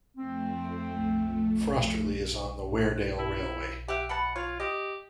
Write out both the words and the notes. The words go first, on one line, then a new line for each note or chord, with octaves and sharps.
Frosterley is on the Weardale Railway.
F2 A3 C4
E4
G4 E5 F#5
B2 B4 F#5 A5
F4 C#5
G4 D#5